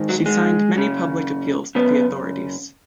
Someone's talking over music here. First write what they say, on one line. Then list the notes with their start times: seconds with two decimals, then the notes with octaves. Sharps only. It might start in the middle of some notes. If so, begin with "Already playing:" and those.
She signed many public appeals to the authorities.
Already playing: G#2 D#3
0.09 F#3
0.26 G#3
0.75 F#2 C#3
1.75 F#2 C#3 B3